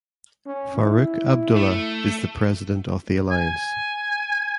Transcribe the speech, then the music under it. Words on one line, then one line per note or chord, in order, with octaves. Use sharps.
Farooq Abdullah is the president of the alliance.
C#4
E4
A3
G#5